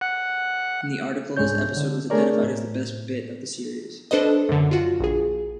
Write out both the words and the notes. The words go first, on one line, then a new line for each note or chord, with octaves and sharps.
In the article, this episode was identified as the "best bit" of the series.
F#5
C2 G#2 G#3 D4 C#5 G6
D3
A3 D4 G#4 A#4 C#5 D5
A2
D4 A4 B4 C5 D#5
F#2 D3
F4 F#4
A#1 G#4